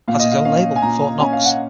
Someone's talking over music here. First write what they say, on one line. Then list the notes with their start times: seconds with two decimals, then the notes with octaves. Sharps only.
Has his own label, Fortknox.
0.08 A#2 F5
0.19 D#5
0.31 F5
0.45 C#4 F5
0.76 G#5
0.82 A#2 A#5
1.20 C#4 G#5
1.33 F5
1.45 F#5